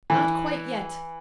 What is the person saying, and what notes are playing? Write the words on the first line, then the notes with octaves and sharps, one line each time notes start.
Not quite yet.
E3